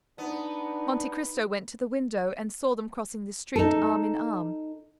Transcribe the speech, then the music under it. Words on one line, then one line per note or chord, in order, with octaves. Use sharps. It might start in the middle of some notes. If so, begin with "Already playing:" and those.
Monte Cristo went to the window, and saw them crossing the street, arm in arm.
B3 D4 D#4
D#4 A4